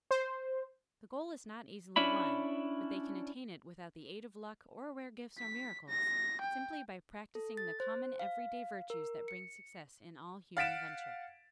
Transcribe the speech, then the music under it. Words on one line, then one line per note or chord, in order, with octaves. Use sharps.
The goal is not easily won, but they can attain it without the aid of luck or rare gifts or miracles--simply by practicing the common everyday virtues that bring success in all human ventures.
C5
C#4 D4 E4 B5
B6
A#6
G5
A4
A6
C5
F5
A#4
C#7
F5 F#5 A6 B6 D7 E7